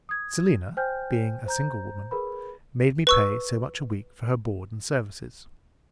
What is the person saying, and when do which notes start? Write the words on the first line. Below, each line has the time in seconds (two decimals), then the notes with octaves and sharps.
Selina, being a single woman, made me pay so much a week for her board and services.
0.09 D#6 G#6
0.77 C5 G5 G#5 F6 G6
1.46 C5 A#5 G6
2.11 G#4 A#4 B4 B5
3.07 B4 C#6 E6